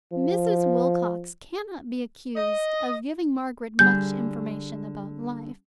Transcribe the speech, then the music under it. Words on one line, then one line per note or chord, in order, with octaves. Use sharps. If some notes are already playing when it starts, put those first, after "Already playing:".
Mrs. Wilcox cannot be accused of giving Margaret much information about life.
F3
D#5
D3 G3 G#4 G6